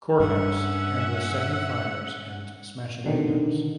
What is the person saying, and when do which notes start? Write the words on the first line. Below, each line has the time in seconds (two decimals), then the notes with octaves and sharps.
Courthouse and was setting fires and smashing windows.
0.20 G2 G3 C#4 D4 E5 F#5
3.04 B2 D3 D#3